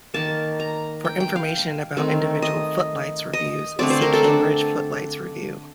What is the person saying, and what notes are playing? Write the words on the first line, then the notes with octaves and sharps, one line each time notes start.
For information about individual Footlights revues, see Cambridge Footlights Revue.
D#3 A#3 A5
A#5
G5
G5
F5
D#3 A3 C4
D#5
D#5
D3 A3 C4 D5
C5
A#4
A4
D4